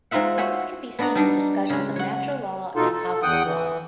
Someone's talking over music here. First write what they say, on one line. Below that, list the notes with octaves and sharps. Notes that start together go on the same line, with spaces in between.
This can be seen in discussions of natural law and positive law.
G#3 C4 D#4 F4 E5 F#5
F#4 C5 C#5 E5 F#5 G#5
B3 D4 D#5 F#5 A#5
G3 D4 D#4
C#3 G#3
C#5 F#5
B2 D#4 F4 A4
A4
E2 F#5 G5 D#6
E3